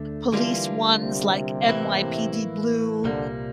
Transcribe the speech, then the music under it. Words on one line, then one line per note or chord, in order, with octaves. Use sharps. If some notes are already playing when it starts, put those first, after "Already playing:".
police ones, like, NYPD Blue
Already playing: D2 D3 A3
D3 E3 G3 A#3 D4 F4
C3
A2 E3 A#3 E4
C2 A#2 D3 G3 A#3